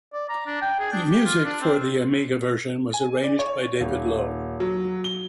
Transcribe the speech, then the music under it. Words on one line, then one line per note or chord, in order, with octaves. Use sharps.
Music for the Amiga version was arranged by Dave Lowe.
D5
A#5
D4
G5
G#4
D4
G4
F4
D4
C4
G#5
D5
C#5
D#1
F#3
G7